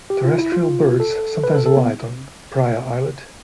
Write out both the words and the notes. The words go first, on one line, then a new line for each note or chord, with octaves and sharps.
Terrestrial birds sometimes alight on Praia Islet.
G4
F4
E4
F4
A4
B4
A4
A4
B3